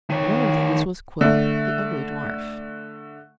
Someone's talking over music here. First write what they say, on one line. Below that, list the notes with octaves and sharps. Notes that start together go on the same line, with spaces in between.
One of these was Quilp, the ugly dwarf.
D#3 C#5
D3 A3